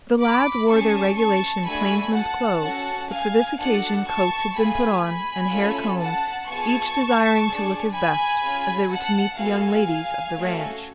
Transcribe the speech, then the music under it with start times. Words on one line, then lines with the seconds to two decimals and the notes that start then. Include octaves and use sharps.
The lads wore their regulation plainsman's clothes, but for this occasion coats had been put on and hair combed, each desiring to look his best, as they were to meet the young ladies of the ranch.
0.21 B5 D6
0.70 C#4 G#4 A5 C#6
1.18 A5 C#6
1.66 A3 D4 F#4 A4 G#5 B5
2.15 F#5 A5
2.63 C#4 F#4 A4
3.11 F5 G#5
3.59 D4 F#4 A4 F#5 A5
4.07 A5 C#6
4.56 A3 F4 G#4 G#5 B5
5.04 G#5 B5
5.52 A3 C#4 F4 A4
6.01 F#5 A5
6.49 B3 F4 G#4 A5 C#6
7.46 D4 G#4
7.94 G#5 B5
8.42 C#4 F4 G#4
8.90 F#5 A5
9.38 B3 F#4 A4 F5 G#5
10.35 A3 C#4 F#4 A4